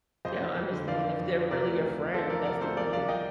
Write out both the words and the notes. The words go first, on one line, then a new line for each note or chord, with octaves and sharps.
They'll understand if they're really your friend. That's the thing.
F2 C5 D#5
F2
F2
D3
F3 D5 F5
F3
F2
F3
C3 A#4 D5
D2
C3
F3
F3 A4 C5
F3 A#4 D5
C3 A#4 D5
D2 A4 C5
F3 A#4 D5
C2 D5 F5
D#5 G5